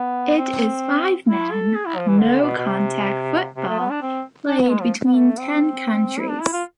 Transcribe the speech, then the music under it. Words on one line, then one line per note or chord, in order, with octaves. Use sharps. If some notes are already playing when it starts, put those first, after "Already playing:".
It is five man no contact football played between ten countries.
Already playing: B3
C4
E4
A4
G#4
E4
F3
E3
D3
B2
B2
C3
C3
A3
B3
D4
C4
D4
B3
G#3
F3
B3
A3
C4
E4
D4
E4
F4